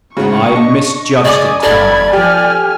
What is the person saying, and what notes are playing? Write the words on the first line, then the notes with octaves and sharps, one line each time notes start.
I misjudged it, however.
G#1 G#2 C#3 F#4 C#6
D4 D#5
C#3 D5 D#5 G#5 C#6 D6
G1 A4 D5 A5 B5 F6 G#6
F3 G4 G#5 F6